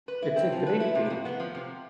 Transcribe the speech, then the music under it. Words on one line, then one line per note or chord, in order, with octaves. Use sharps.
It's a great take.
B4
E4
C4
F3
B4
E4
C3
F2
B3
F3
C3